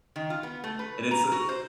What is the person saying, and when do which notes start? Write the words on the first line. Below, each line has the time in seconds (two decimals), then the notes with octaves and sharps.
and it's uh,
0.16 D#3
0.30 F4
0.43 B3
0.64 A3
0.79 B4
1.11 A#5
1.32 F#4
1.49 C5